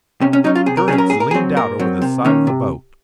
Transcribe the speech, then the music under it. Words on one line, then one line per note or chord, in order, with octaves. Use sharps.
Durrance leaned out over the side of the boat.
C3 C#4
C#4
F#3 C#4 D#4
F4
C3 G#4
A#4
F#3 C#4 G#4
A#4
A#2 G#4
A#4
G#4
F#3 C4
A#2 A#4
F#3 C4
C3
D#3 A#3 C#4
C3